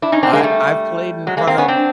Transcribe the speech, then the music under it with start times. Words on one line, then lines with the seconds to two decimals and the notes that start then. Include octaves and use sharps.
I I've played in front of,
0.02 D4 E4
0.12 C#4 D#4
0.23 C4 D4
0.33 G#3 A#3
0.43 G3 A3
1.27 F#3 G#3
1.37 G#3 A#3
1.47 A#3 C4
1.58 B3 C#4
1.68 C4 D4